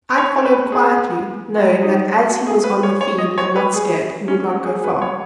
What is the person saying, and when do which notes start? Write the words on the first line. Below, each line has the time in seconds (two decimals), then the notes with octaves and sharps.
I followed quietly, knowing that as he was on the feed and not scared he would not go far.
0.18 C#5
0.45 B4
0.72 G#4
1.55 F#4
1.83 D#4
2.09 F#4
2.28 F#4
2.47 G#4
2.64 B4
2.83 C#5
3.01 C#5
3.18 D#5
3.38 C#5
3.56 B4
3.74 G#4
4.28 C#4
4.47 F#4
4.65 G#4
4.75 G#4
4.84 B4
5.02 C#5